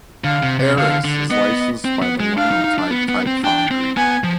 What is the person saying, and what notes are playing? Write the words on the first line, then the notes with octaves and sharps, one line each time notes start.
Eras is licensed by the Linotype type foundry.
D3 F5
C3
C3
D3 F5
D3
B3 D#5
C4
B3
G#3
D4 F5
D#4
D#4
D4
B3
B3
C4
D4 G5
C4
B3 G#5
F3